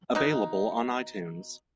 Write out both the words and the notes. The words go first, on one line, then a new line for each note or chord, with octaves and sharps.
Available on iTunes.
B2 D#4